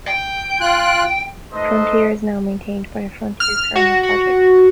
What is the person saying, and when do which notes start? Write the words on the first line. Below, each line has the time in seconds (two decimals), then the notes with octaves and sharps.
Frontier is now maintained by the Frontier Kernel Project.
0.08 G5
0.61 F4 F#6
1.52 A3 D#4 A4 B4 C5 D#5
3.40 F6
3.76 F#4
4.03 F#4